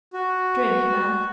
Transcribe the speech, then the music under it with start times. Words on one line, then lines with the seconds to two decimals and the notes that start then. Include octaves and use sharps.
Drink, man!
0.14 F#4